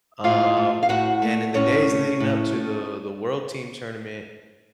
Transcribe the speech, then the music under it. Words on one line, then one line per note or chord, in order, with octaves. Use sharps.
Um, and in the days leading up to the the world team tournament,
A2 F4 F5
A3
F5
A2 F#4 F#5
A3
A2 C#4 C#5
A3
A2
A3